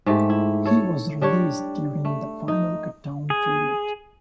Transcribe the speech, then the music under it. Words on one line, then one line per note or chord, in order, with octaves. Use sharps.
He was released during the final cutdown period.
G#2 A3 G4
E4
A4 C#5
G3 D4 G4 C#5
A3
D#4
G#4